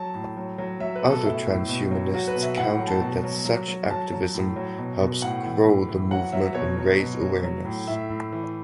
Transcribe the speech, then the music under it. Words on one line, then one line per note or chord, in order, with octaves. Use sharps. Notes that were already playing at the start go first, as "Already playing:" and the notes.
Other transhumanists countered that such activism helps grow the movement and raise awareness.
Already playing: F#3 A5
A2
F#3
F#3
F#3 E5
B4
B2
A4
A2 E4
A2
B2
F#3
F#3 F#4
B4
B2
E5
A2 F#5
F#3
A5
B2
F#3
F#3
F#3
F#3 A5
F#3
A2
F#3
B2
B2
A2 F#5
E3
A2
E3
F#3 F#5
F#3 E5
B2 C#5
F#3
B2
F#3
F#3
A2
A2 E5
A2
E3